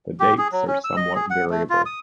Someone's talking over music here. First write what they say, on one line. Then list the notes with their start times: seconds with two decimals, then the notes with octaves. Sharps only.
The dates are somewhat variable.
0.20 G4
0.38 G#4
0.52 F#3
0.68 C#4
0.84 E6
0.97 D#5
1.15 G#4
1.30 F#5
1.50 A3
1.70 F4
1.86 D#6